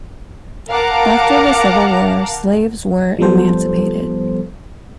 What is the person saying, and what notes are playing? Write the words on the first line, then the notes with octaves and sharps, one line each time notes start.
After the Civil War, slaves were emancipated.
A#4 F5 F#5 A5 A#5 D6
F3 G3 B3 A4 C5